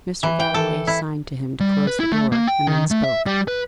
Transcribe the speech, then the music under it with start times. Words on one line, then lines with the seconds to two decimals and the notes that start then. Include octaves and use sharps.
Mr. Galloway signed to him to close the door, and then spoke.
0.23 E3
0.40 G5
0.54 A4
0.87 E4
1.60 G3
1.87 B4
2.00 E4
2.12 A3
2.32 A#3
2.47 G5
2.67 D#3
2.91 A3
3.04 E5
3.26 G3
3.48 B4